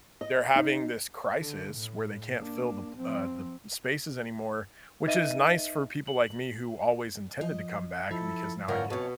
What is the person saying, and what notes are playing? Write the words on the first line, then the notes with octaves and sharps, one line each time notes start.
they're having this crisis where they can't fill the p uh, the spaces anymore, which is nice for people like me who always intended to come back because now I get,
D#5
D#4
D3
A2
A#3 D4
F3 C4
D#4 B4 D#5 E5 D#7
F#7
F3 D#5
F3 E4 A4
F2 G#2 D3 E3 F4 A#4 C#5 G5
F2 B2 E3 C#5 A5